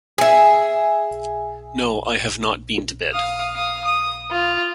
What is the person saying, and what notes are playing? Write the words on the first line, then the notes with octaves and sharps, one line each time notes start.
No, I have not been to bed.
G#4 E5
F5 D#6
F5 D#6
D#6
F4